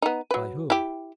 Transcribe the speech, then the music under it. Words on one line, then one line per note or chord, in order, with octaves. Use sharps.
"By whom?"
B3 D#4
F#3 B4
E4 G4